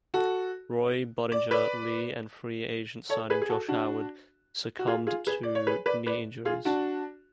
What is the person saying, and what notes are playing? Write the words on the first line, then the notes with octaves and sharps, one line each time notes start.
Roy, Budinger, Lee and free agent signing Josh Howard succumbed to knee injuries.
F#4 A4
D5
B4 D5
A4 C#5
G#4 B4
G#4
F#4 A4
D4 F#4
F#4
F4 G#4
F4 G#4
G#4 B4
D5
C#5
G#4 B4
B4 D5
B4 D5
F4 G#4
D4 F#4